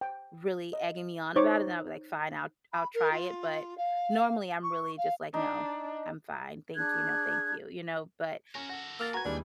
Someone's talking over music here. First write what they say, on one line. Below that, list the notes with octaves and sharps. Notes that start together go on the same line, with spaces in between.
really egging me on about it, then I'd be like, "Fine, I'll I'll try it." But, normally, I'm really just like, "No. I'm fine. Thank you, no, thank you." You know? But,
G5
D#5
D#4 C5 C#5 C#6 D6
B5
A#4
F4
F5
C#6
F5
D4 D#4
D4 G#4 F#6 G#6
C#4 F#4 A#4
F#4 A4 F#5
A#3 E6 F6 A6
F#4 B4 G#5 A#5 G#6
D#2 E3 G3 G#3 D4